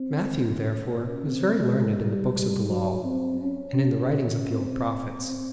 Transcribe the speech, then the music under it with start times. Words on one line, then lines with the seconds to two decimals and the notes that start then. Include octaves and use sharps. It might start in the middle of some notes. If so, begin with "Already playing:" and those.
Matthew, therefore, was very learned in the books of the Law, and in the writings of the old prophets.
Already playing: C4
0.53 C#4
1.25 C4
1.61 G#3
1.97 G3
2.33 G3
2.69 F#3
3.04 C4
3.40 C#4
3.77 C#4
4.48 C4
5.21 C4